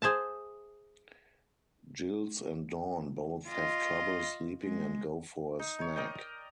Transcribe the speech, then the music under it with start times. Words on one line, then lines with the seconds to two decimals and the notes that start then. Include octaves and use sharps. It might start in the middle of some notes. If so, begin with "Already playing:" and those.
Giles and Dawn both have trouble sleeping and go for a snack.
0.02 G#4 C5 E5 A5
3.49 F4 D#5
4.62 G#3
5.59 D#4
5.79 D#4 C#5
5.96 A#4 D5 D#5 G5